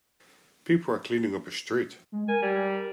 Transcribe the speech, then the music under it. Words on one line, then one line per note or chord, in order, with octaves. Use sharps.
People are cleaning up a street.
G#3
A#4 G#5
G3